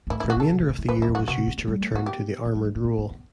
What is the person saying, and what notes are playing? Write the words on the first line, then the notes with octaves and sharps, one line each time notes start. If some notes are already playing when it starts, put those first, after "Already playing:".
The remainder of the year was used to return to the armoured role.
B2
A2 E4
E4
A2
F#4
B2 A4
C3
A2
C3
E3
D#3 B4
F#2 E4
E2
F#4
F#2
C3 F#4
B3
C4
B3
G3
A3
B3 F#4
G4
B3
G3
A3
C4
B3
B3
B3